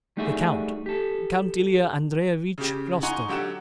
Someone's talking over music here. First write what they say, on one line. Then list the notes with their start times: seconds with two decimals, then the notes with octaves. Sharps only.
"The count--Count Ilya Andreevich Rostov."
0.17 G3 A3 D#4 F#4 G#4 E5
0.86 G4 A4
2.58 C#3 G4
3.03 D#4 F#5 G#5 A#5 C6 C#6
3.28 D3 F#3 G4 F#5 E7